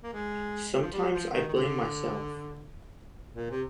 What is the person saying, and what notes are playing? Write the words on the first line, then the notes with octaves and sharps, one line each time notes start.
Sometimes I blame myself.
A#3
G#3
F3
G3
F3
D#3
D#3
D3
A#2
C3